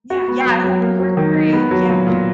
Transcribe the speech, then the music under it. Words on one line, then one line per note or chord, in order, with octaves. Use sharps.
Yeah, yeah, I hope it works for you, yep.
F#4
B3
F#3
F#3
A#3
F#3
D#3
D#4
B3
F#3
A#2
A#2